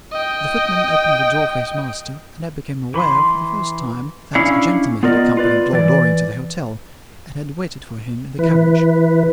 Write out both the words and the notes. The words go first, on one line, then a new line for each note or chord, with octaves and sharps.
The footman opened the door for his master, and I became aware, for the first time, that a gentleman had accompanied Lord Loring to the hotel, and had waited for him in the carriage.
D#5 G5
E3 B5 C6
C#4 D4 E4 C#5 F5
B3 F4 A#4 D5 D#5
F4 B4 D5
E3 D5
E3 B4